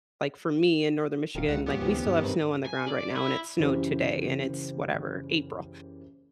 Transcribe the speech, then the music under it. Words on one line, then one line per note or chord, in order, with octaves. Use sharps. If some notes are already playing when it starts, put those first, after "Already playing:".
like, for me in Northern Michigan, like, we still have snow on the ground right now, and it snowed today, and it's whatever April,
D#1 D#3 B3 F5
C#2 F#5
G#2 F#3 B3 F4 G4
D2 C3 E3 C#4 D4
G2
D#3 E3 C4 D#4 B4
G#5
D5
E4
F#1 C#3 E3 G4 C5